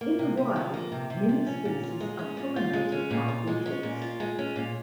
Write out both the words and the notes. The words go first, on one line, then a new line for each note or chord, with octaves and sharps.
In the wild, many species are pollinated by beetles.
A#3
C3
C3
F3
A#3
C3
C3
F3
C#4
A#2
F4
G#3
C#4
A#2
F4
G#3
C#4
A#2
F4
G#3
C#4
A#2
F4
G#3
C#4
A#2